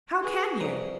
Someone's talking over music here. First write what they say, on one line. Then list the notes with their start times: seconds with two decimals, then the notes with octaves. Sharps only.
How can you?
0.22 G#4 B4
0.60 C2 F2 A#5